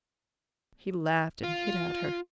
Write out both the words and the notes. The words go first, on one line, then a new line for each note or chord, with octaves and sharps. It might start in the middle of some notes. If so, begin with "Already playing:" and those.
He laughed and hit at her.
F4